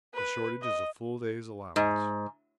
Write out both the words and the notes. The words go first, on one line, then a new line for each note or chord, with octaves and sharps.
The shortage is a full day's allowance.
B4
D#5
G#2